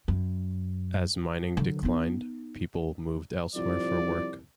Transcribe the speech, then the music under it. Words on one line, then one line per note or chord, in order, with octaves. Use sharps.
As mining declined, people moved elsewhere for work.
F#2
D3 F#3
B3 D#4
C2 F3 D5